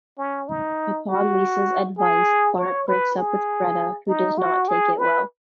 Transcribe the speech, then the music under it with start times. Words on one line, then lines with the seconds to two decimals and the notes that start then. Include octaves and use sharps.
Upon Lisa's advice, Bart breaks up with Greta, who does not take it well.
0.18 C#4
0.48 D#4
1.09 F#4
1.98 G#4
2.58 C#5
2.88 B4
3.18 G#4
4.08 D#4
4.38 F#4
4.68 G#4
4.98 B4